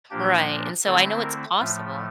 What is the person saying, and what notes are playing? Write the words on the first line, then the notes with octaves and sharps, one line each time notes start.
Right, and so I know it's possible.
A#2 F3 A#3 D4 G4
D3 A3 C4 E4 A4
A#4
A2 F3 A3 F4